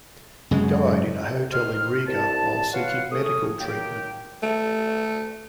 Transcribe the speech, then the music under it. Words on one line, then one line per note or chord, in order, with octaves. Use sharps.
He died in a hotel in Riga while seeking medical treatment.
F#2 C#3 G#3
D#3 C5 D#5 C6 F6
C2 A5
F4 B4 C#5 F5 F#5
A3 C#4 D#6
D#3 F#3 A#3 G4 G5
A3